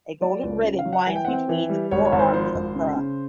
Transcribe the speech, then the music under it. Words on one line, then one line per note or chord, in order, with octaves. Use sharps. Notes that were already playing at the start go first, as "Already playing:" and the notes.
A golden ribbon winds between the four arms of the cross.
F#3 D5
C#2
C#3
F5
F#3
F#5
E3 G#5
G5
C4 F#5
G5
E3
G3
G#1 C#5
C#5
G#1
C5
F3 C5
G#1
C#3
C#3